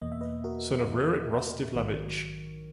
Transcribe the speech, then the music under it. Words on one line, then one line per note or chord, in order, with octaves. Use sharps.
Son of Rurik Rostislavich.
E2 B2 A#3 D#5
E5
B4 D#5
F#4 A#4
E2 B2 A#3
A#1 G#2 D#3 F#3